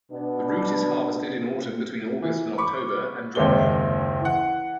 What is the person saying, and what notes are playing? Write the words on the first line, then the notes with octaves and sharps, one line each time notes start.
The root is harvested in autumn between August and October and dried.
B2 B3 D4
E3
B5 C#6 D6
F#1 D#2 C3 G#3 C#5 G7
E3 F#5